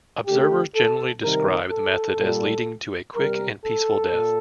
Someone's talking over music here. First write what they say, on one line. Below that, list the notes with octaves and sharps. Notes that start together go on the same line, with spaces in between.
Observers generally describe the method as leading to a quick and peaceful death.
D3 A3 G4
A4
C3 D#3 G3 A#4
A4
A#2 G3
C3 G3 A#4
A4
A#2